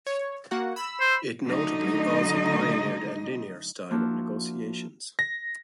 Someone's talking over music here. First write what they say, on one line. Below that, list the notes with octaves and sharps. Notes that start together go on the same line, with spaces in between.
It notably also pioneered a "linear" style of negotiations.
C#5
A#3 F#4 F#5
B5 E6
C5
D3 F#3 A3 D#4 D#5
F3 A#3 D4 E4 F#4
A#6